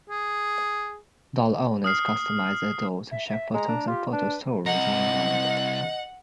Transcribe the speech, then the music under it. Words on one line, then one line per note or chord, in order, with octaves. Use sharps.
Doll owners customize their dolls and share photos and photo stories online.
G#4
D#6 F6 C7
E5
E5
G#3 A#5
D4
F4 G4
D4 B4
C2 D#5 F#5 A#5